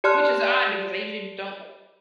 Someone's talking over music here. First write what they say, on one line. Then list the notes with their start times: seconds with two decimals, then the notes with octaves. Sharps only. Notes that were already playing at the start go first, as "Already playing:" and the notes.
Which is odd because I usually don't like it.
0.04 G4 D5 A5 C6 F6 F#6